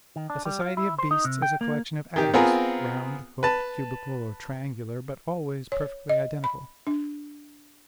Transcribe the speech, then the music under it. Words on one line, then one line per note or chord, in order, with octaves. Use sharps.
A society of beasts is a collection of atoms, round, hooked, cubical, or triangular, but always perfectly identical.
D#3
D4
G3
F4
E4
C5
D#4
C3
G5
A#3
D#3 G4
B3 C4 F4 G#4 A#4
B4 A5
C#5
D#5
B5
D4